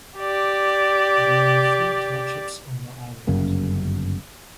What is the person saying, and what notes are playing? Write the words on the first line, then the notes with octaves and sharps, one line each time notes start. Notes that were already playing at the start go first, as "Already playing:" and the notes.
There are three townships on the island.
G4 D5
G1 F#2 C#3 A#3